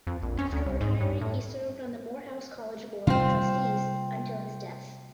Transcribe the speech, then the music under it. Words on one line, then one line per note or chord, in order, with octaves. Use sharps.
After retiring he served on the Morehouse College Board of Trustees until his death.
F2
A#1
C#4
D2
C2
G#2
G2
A2
C3 G3 A#3 C4 F4